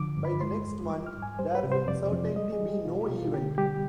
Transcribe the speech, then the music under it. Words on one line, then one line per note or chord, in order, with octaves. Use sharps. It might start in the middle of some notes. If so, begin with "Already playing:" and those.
By the next month, there will certainly be no event.
Already playing: D3 F3 D6
G2
B5
G#3 C6
F2
G3 D6
F6
G#2
G#5
G3 C5
B4
C3
C5
F2 D5
F2
G3 D#5
G#4
G3
G4
B2 F4
G4
B2
F4
D3 G4
G3 G4